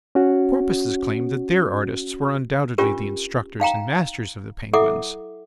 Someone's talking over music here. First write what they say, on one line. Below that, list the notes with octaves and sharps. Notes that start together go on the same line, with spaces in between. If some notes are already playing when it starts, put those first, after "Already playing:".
But the Porpoises claim that their artists were undoubtedly the instructors and masters of the Penguins.
C#4 F#4
C#4 D4 F4 G4 A#4
D#4 F5 G5 A#5
E4 A4 E5 F#5 D6